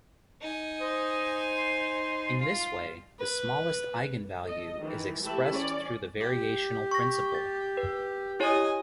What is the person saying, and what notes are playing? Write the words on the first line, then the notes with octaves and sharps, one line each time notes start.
In this way, the smallest eigenvalue is expressed through the variational principle.
D#4 G#5
C5 D#5
C6
F4
B4
A4 D#5
D#3 E3
E3 A3 G4 E5 A5 B5
C#4 D5
G4
C#6 A#6
A6
B4
E4 G4 C#5 D#5 G#5